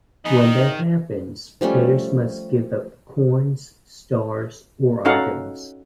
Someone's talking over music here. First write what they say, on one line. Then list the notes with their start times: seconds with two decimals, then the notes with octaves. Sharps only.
When that happens, players must give up coins, stars or items.
0.25 B3 D#4 G#4
0.40 D#3
1.61 F3 G3 A3 C#4
5.05 C#4 D#4 F#4 A4 F5 F#5